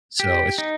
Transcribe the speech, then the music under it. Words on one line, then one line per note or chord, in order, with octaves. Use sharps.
so it's
G4
D#4